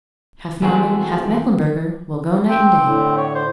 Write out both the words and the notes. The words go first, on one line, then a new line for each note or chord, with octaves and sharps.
"Half Norman, half Mecklenburger; will go night and day."
E3 G#3 A3 C4 F#4 G#4
C4 G5
A2 D3
C#5
C5